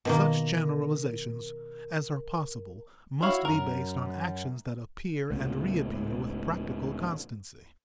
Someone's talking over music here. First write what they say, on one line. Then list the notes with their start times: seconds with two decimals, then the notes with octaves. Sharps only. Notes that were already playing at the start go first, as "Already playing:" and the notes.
Such generalizations as are possible must be based on actions that appear and reappear with practical constancy.
0.05 B2 D#3 A#3 A#4
3.22 E4 F#4 C#5 F5
3.45 F#2 A#4
5.30 C#2 A2 C#3